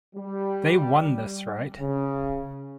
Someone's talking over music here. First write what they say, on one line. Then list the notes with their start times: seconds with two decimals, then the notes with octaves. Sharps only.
They won this right.
0.15 G3
1.78 C#3